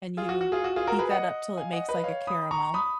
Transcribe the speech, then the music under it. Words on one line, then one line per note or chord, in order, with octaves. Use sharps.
and you heat that up 'til it makes, like, a caramel,
F4 G#4
F#4
F#4
F4 G#4
F#4
F4 G#4
F#4 A#4
G#4 B4
D#5 F#5
F5 G#5
D#5 F#5
B4 D#5
C#5 F5
B5 D#6
A#5 C#6
B5 D#6